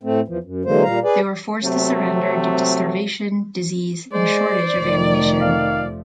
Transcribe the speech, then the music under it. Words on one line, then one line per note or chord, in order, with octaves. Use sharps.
They were forced to surrender due to starvation, disease and shortage of ammunition.
A2 A3 C4
E2 E3 F3
F#2
D3 E3 F#3 G#3 A#3 C5
A#2 G3 F5 A#5
G#4 B4 D5
C3 F#3 A3 C4
G#3 C5 D5
F1 D#3 F3 A3
F5